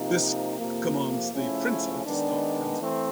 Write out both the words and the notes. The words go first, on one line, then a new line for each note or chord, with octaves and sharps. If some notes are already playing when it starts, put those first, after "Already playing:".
This commands the printer to start printing.
Already playing: C3 F3 A#3 D#4
F2 C3 F3 A#3
C#3 F3 A3 C#4 E4
D#3 G#3 B3 D4
E3 A3 C4